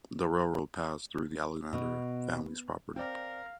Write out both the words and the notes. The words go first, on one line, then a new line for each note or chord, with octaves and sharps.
The railroad passed through the Alexander family's property.
B2
C4 A#4 D5 F5 G5